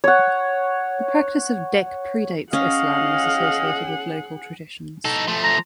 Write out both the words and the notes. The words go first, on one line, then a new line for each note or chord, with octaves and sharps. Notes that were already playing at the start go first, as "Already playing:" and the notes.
The practice of deq predates Islam and is associated with local traditions.
C#5 F#5
C#4 G#4 D#5 F5 F#5
D#4 A4
F3 A3
A#5